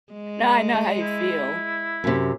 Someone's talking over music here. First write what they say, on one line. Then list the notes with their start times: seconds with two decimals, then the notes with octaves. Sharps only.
No, I know how you feel.
0.13 G#3
1.02 E4
2.04 F#2 C3